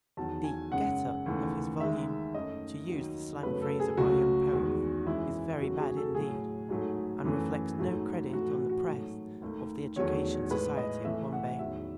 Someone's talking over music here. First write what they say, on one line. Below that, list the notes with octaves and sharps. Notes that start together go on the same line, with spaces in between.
The 'get-up' of his volume, to use the slang phrase of our young poets, is very bad indeed, and reflects no credit on the press of the Education Society of Bombay.
E2 D#3 F#3 A5
G#5
F#2 C#3 G#3 F#5
D#2 C#3 E3 A3
D#2 D#3 G#3 E5
F#2 D#3 A3 D#5
D#2 D#3 F#3
F#2 C#3 F#3 A3 B4
A4
G#4
C#2 C#3 F#3 A3 F#4
E2 D#3 G#3
F#2 E3 G#3 E4
D#2 C#3 F#3 A3 F#4
G#4
A4
A2 F#3 A3 G#4
G#2 F#3 A3
F#2 E3 A3
G#2 F#3 A3
A2 E3 A3 F#4
F#4
F#4
G#2 F#3 A3
D#2 D#3 A3
E2 D#3 F#3 A3 C#5
A2 G#3 B4
D#5
A2 E3 A3 E5
F#5
E2 D#3 F#3 E5